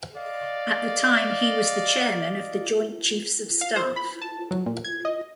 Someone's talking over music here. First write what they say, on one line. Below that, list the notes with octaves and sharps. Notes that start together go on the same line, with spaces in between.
At the time he was the Chairman of the Joint Chiefs of Staff.
D5 D#5 F5
F5
C5
B5
A5
F#3
A#2
G#6
D#5